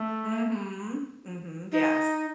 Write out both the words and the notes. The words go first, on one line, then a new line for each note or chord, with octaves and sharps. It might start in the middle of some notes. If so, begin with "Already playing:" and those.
Mhm. Mhm. Yes.
Already playing: A3
D#4